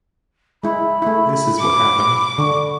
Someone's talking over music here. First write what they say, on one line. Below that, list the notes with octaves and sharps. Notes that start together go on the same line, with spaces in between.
This is what happened.
G#3 E4 B5
A3 E4
D6
D3 C#6